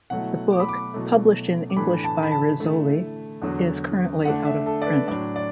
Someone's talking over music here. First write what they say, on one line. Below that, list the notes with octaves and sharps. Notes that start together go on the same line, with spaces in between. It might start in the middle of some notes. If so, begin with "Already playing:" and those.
The book, published in English by Rizzoli, is currently out of print.
B2 F#3 A3 E4 F#5
D6
B5
D6
B2 F#3 A3 E4
D6
A2 E3 A3 D4 B5
A5
B5
A5
D3 A3 E4
E2 D3 F#3
D3 A3 D4 F#5
E5
A4
D5
B4
A2 F#3 D4 D5
D5